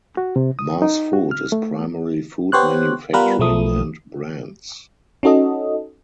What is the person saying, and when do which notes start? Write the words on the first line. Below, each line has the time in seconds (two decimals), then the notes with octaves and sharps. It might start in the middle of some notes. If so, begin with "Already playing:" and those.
Mars Food is primarily food manufacturing and brands.
0.17 F#4
0.36 C3
0.59 D#6
0.82 D#4
1.13 F#4
1.31 F6
1.52 A3
2.52 B3 G4 C5 C#5 F#6
3.13 G3 B3 F4 A#4 B4
3.39 B1 F3 A3 D#6
5.23 C#4 D#4 F#4 A4 D#5